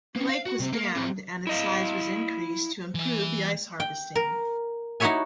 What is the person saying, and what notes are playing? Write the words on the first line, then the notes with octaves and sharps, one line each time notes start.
The lake was dammed and its size was increased to improve the ice harvesting.
A#3 C#4
F5
F#4
C3 C4
A#3 A#4
C4 G#4
E4 D#5 F5
E3 E5
G5
A#4
D#4 E4 F#4 C#5 E5 G#5